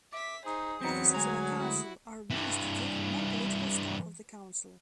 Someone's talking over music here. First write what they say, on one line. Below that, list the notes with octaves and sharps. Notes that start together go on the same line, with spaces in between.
Officers of a council are administrative, non-political staff of the council.
E5 D6 B6
D#4 G#4 C5 D#6
E2 F#3 B3 C4 C#7
D2 G#3 G#5 A#5 G#6
E4 F#4
G2 E3